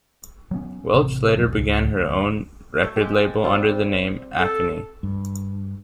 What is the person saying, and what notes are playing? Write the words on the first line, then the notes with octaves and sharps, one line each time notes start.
Welch later began her own record label under the name Acony.
F#3 B3 C#4
A1 C3
E1 B1 G#2 F#3
C#2
D2
A3
G#3 G4
G3 C4 F4
A4
G2